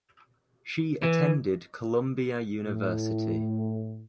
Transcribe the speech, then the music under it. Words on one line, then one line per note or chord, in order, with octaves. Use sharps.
She attended Columbia University.
E3
A2